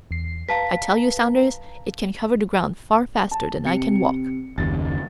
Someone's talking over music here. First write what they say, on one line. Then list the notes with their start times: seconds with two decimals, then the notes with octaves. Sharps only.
I tell you, Saunders, it can cover the ground far faster than I can walk.
0.11 E2 C7
0.49 B4 F5 A5 A#5 B6
3.31 A5
3.65 C3 C#7
4.58 F#1 D#2 C#3 A6